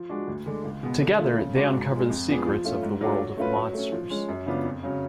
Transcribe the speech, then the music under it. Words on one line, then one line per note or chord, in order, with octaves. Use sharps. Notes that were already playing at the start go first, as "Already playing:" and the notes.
Together, they uncover the secrets of the world of monsters.
Already playing: F3
G#3 D4 F#4
D2
D3 G#3 D4
C#2
B2 G#3 B3
D3
F3 A3 F4
C#3
G#3 D4 F#4
G#2
F3 G#3
F2
F3 B3 D4 G#4
F3
A3 C#4 F4
G#2
F#3 A3 D4 F4
F#3
A3 C#4 F4 B4
F#3
A3 C#4
F3
G#3 C#4
F#2
C#3 F3 B3 D4
F2
C#3 F#3 C#4